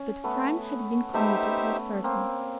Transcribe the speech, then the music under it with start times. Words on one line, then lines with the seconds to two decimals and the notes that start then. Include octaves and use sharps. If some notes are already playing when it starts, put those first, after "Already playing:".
That crime had been committed was certain.
Already playing: C#4
0.24 A3 B3
1.14 A3 B3 D#4 G4 C5 E5
2.04 A#3 C4